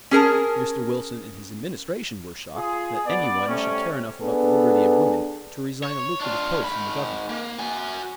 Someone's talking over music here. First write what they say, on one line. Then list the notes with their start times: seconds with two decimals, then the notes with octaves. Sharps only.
Mr. Wilson and his Administration were shocked that any one should care enough about the liberty of women to resign a lucrative post in the Government.
0.11 C#4 G#4 A#4 A5
2.56 F4 G#4
3.06 B3 D5
3.47 C3 G3 A3 C#4
4.21 B3 D4 G#4 A4
5.84 C#5
6.20 D4 F4
6.62 G#2 B5
7.30 A#3
7.58 F#4 G#5